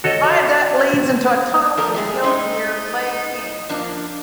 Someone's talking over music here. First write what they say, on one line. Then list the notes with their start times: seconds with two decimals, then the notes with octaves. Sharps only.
The viaduct leads into a tunnel in the hills near Lai King.
0.04 F#4 A4 C#5 D#5
1.77 F3 A4 A#4 A#5
1.94 G3 G#3 E4 G#4
2.23 G#3 C#4 D#4 E4
3.69 F3 A#3 D4